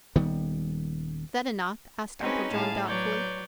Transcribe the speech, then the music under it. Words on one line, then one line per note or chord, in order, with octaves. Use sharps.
"Is that enough?" asked Uncle John, doubtfully.
D#1 D#3 G3 B3
C4 C#4 D#4 F#4 G#4 B4
A2 G#4 F5 A5
F#3 B4 C#5 D5 G6